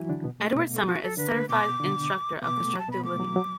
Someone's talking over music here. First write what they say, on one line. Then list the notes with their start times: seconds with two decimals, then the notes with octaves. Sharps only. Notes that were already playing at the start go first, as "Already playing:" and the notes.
Edward Summer is a certified instructor of Constructive Living.
Already playing: E3 F#3 E4 F#4
0.09 D3 D4
0.24 B2 B3
0.40 A3
0.55 B2 B3
0.75 A4
0.86 F#4
1.03 A4
1.17 D3 D4 B4
1.33 A3
1.49 B2 B3 D6
1.80 D3 D4
2.42 B2 B3 D6
2.58 A3
2.74 F#3
2.79 A5
2.89 B2 B3 B5
3.04 A3 D6
3.20 F#3
3.36 F#3